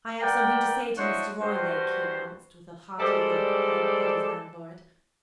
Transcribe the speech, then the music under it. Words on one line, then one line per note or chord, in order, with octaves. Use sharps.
"I have something to say to Mr. Roylake," he announced, with a haughty look at his landlord.
A#4 B4 D5 F#5 G5
D4 E4 F#4 C5 C#5 D#5
G2 F#4 C5
G3 G#3 A4 C5 D5